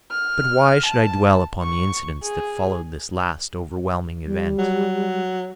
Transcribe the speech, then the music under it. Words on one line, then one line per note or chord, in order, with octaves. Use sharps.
But why should I dwell upon the incidents that followed this last overwhelming event?
F6
A5
C#6
G#4
G3
F#3